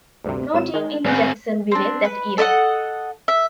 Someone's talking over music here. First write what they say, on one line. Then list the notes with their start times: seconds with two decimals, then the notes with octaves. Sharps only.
No team in Jacksonville that year.
0.24 D2 G2 C3
0.54 G#1 F#3 E7
0.74 D#3 G#3
1.06 C4 G#4 B4 G6
1.71 C4 D4
2.05 B4
2.38 A4 D#5 E5 F#5
3.28 E5